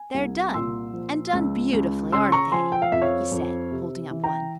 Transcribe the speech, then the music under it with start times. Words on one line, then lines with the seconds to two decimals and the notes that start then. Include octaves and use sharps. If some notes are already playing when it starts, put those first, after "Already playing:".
"They're done and done beautifully, aren't they?" he said, holding up one.
Already playing: G#5
0.14 C2
0.54 A#2 C6 E6
0.93 F3
1.33 C#2
1.73 C#2
2.12 C#3 C6 E6
2.32 A#5 C#6
2.52 F3 G#5 C6
2.72 G5
2.82 F5
2.92 F2 E5
3.02 C#5 F5
3.32 F2
3.71 C3
4.11 E3
4.24 G5 A#5